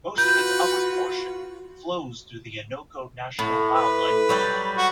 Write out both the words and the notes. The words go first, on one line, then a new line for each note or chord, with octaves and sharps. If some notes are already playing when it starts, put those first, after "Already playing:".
Most of its upper portion flows through the Innoko National Wildlife Refuge.
F4 F#4 B4 G6
A2
B4
F#3 G3 D5
F#4